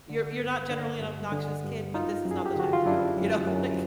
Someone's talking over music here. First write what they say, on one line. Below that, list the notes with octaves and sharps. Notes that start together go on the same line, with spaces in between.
you're you're not generally an obnoxious kid, but, this is not the time to do it," you know, like
D3
G2
D3
G2
D3
G2
F#2 D#4 F4
F#2
G#4
G4
D3 F#4
F4
F#2 D4 E4
F#2
F#2